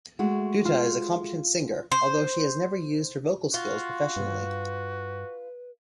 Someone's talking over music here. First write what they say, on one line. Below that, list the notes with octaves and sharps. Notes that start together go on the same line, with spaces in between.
Dutta is a competent singer although she has never used her vocal skills professionally.
G#3 A3 F#4
F4
C5
F4 F#4
G2 B4